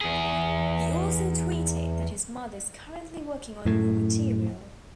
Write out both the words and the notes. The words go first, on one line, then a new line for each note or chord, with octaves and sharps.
He also tweeted that his mother is currently working on new material.
E2 G#4
F#2 A2